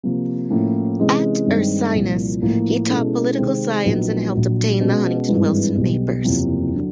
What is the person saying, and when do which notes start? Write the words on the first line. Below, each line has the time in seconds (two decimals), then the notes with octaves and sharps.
At Ursinus he taught political science and helped obtain the Huntington Wilson Papers.
0.03 C3 F3 A#3
0.50 A2 F3 A#3 C#4 E4
0.99 C3 E3 G#3 C#4
1.46 G2 D#3 G#3 C4
1.94 C2 A#2 F3
2.41 A1 A2 F3 A#3
2.89 B2 G#3 C#4 E4 A4
3.37 C3 D#3 G#3 C4
3.85 A#1 A#2 F#3 B3 D#4
4.33 A#1 A#2 F#3
4.80 B2 G#3 C#4 F#4
5.28 G#1 G2 E3 G#3
5.76 B1 B2 G3
6.24 F#1 E2 C3 F3 A#3
6.74 D3 F#3